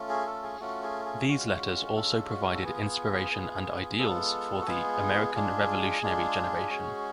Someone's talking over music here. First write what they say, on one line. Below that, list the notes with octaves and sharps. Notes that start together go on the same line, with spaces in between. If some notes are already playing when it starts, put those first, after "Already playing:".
These letters also provided inspiration and ideals for the American Revolutionary generation.
Already playing: A3 C#4 F4
G#4
A4
G#4
A3 C#4 F4 F#4
G#4
G#4
G#3 C#4 F4 F#4
G#3 C#4 F4 A4
F#4
A4
B3 F4 G#4
B3 F4
G#3 B3 F4 A4
F#4
G#3 B3 F4 G#4
G#3 D4 F4
G#3 D4 F4
G#3 C#4 F#4